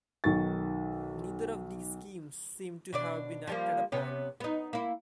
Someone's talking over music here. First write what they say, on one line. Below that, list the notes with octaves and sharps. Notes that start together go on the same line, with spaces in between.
Neither of these schemes seem to have been acted upon.
B1 D#3 C#6 A6
B2 D4 D5
F3 G3 A#3
C3 B3 C#4
B3 D#4
A#3 E4